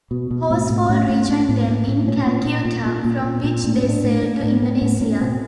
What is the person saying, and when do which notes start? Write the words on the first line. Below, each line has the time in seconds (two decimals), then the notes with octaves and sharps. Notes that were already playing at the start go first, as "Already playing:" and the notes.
Horsfall rejoined them in Calcutta, from which they sailed to Indonesia.
0.11 B2
0.31 B2
0.50 A2 C4
0.70 A2
0.89 A2 C#4
1.09 A2
1.29 A2
1.49 A2
1.68 A2
1.88 A2
2.07 A#2 C#4
2.27 A#2
2.46 A#2
2.65 A#2
2.86 A#2
3.05 A#2
3.24 A#2
3.44 A#2
3.64 A2 D4
3.76 C#4
3.84 A2
3.89 D4
4.04 A2
4.23 A2
4.42 A2 D4
4.62 A2 C4
4.82 A2 B3
5.01 A2 C#4
5.21 B2 C4